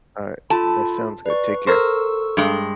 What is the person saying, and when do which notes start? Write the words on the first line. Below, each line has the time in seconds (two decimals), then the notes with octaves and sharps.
Alright. That sounds good. Take care.
0.50 F4 A4 A5 B5
1.26 B4 D5 C#6
1.67 A4 A#4 C5 C#6 E6
2.37 G2 G#3